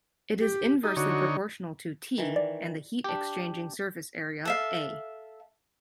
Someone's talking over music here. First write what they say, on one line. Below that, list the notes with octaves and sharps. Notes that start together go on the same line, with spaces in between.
It is inversely proportional to "T" and the heat-exchanging surface area "A".
G4
D#4 G4
D3 D#4 F#4 C#5
D#3 E3
D5
D4 G4
A4 E5 F5